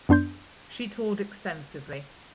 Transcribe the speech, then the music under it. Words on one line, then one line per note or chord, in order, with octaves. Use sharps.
She toured extensively.
F#2 B3 D4 C6 G6